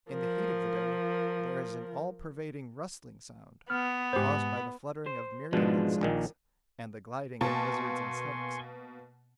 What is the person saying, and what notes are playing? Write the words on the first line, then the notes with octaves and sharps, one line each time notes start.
In the heat of the day there is an all-pervading rustling sound, caused by the fluttering of myriad insects and the gliding of lizards and snakes.
F3 A#4
B3 F6
G#2 G4 B4 C5
C5
G#2 B2 F3 G#3 D4
A#1 A#2 D#3
B2 A#3 G#5 A5 C6 C#6